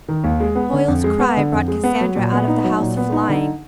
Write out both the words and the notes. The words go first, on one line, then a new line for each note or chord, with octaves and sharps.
Hoyle's cry brought Cassandra out of the house flying.
D#3
D#2
G#3
B3
D3
F2
G#3
B3
D3
F2
G#3
B3
F#3
A#2
B3
D#4
F#3
A#2
B3
D#4
D3